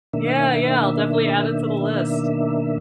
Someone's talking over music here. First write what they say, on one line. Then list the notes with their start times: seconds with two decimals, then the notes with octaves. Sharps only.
Yeah, yeah, I'll definitely add it to the list.
0.13 B2 D#3 A#3 D4 E5